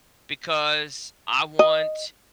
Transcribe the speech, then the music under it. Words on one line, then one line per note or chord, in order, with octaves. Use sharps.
because I want"
D#5